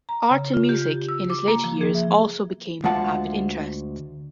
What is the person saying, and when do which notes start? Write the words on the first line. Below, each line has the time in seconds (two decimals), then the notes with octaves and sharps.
Art and music, in his later years, also became avid interests.
0.09 A#5
0.31 C#3
0.53 F4
0.69 G4
1.09 E6
1.30 D6
1.48 A#3
1.64 F3
1.81 G#4
1.95 E5
2.84 D2 G#3 F4 F5 F#5 A5